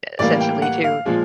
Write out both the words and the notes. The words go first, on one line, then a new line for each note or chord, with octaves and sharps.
essentially, to
A2 E3 G3 A#3 D5
G5
F#5
F5
A#2 F3 G#3